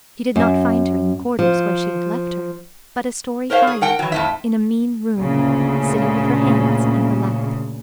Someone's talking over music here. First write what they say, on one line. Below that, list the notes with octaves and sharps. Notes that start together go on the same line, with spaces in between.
She did not find her in the quarters where she had left her, but a story higher, in a mean room, sitting with her hands in her lap.
F#2
F3
A#4 C5 C#5 E5 F5
G#4
A#4 F#5 G5
E3 F#3
F2 A2 E5
D2 A#2 C#3